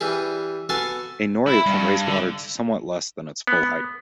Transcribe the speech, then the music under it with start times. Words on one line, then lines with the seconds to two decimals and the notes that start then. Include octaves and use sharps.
A noria can raise water to somewhat less than its full height.
0.01 E3 G3 G#4
0.69 B3 F#4 A4 F5 G#5 A5
1.47 E4
1.66 G2
2.07 D3
3.47 B3